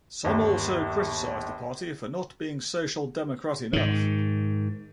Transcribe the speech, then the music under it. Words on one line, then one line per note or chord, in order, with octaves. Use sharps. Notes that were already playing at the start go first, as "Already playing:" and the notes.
Some also criticize the party for not being social democratic enough.
G1 D#2
G#2 D#3